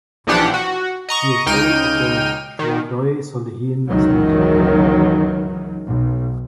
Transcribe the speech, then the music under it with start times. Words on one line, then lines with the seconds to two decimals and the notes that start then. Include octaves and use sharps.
He is buried at the Shuadoi Solehin cemetery.
0.27 B1 E3 F3 D4 G4 F#5
0.54 F#4
1.09 D#5 A#5 C#6
1.46 C#2 D#4 G5 F6 D#7
2.59 D#3
3.89 F#1 C#2 D#3 E3 F#3
5.86 B1